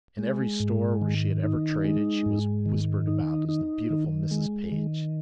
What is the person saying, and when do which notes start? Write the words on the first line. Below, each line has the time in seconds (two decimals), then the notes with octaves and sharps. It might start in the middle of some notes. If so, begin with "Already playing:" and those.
In every store where she had ever traded she was whispered about as the beautiful Mrs. Page.
0.19 G#3
0.60 G#2
1.02 D#3
1.43 D#4
1.84 G#3
2.26 G#2
2.66 D#3
3.07 D#4
3.49 D#4
3.90 D#3
4.31 G#3
4.72 D#3